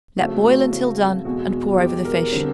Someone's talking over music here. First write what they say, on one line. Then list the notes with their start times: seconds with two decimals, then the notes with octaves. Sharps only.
Let boil until done and pour over the fish.
0.17 C#3 F3 A3 C4 F#4
0.45 F#4
0.72 C#3 F3 A3 C4
1.24 E2 B2 G#3 F#4
1.78 E2 B2 G#3 G4
2.05 A#4
2.32 D3 G3 C4